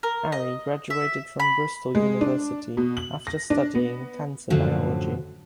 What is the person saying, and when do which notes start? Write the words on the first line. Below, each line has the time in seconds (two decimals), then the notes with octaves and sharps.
Aryee graduated from Bristol University after studying cancer biology.
0.03 A#4
0.32 D#5
0.90 E5
1.40 B5
1.95 G#3
2.21 D4
2.77 B2
2.97 F#7
3.27 A#6
3.50 D4
3.75 B3
4.50 F#2 A2 D3 F3 F#3